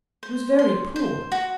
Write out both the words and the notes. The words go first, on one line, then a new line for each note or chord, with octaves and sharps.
He was very poor.
C5
C6
C5
F#4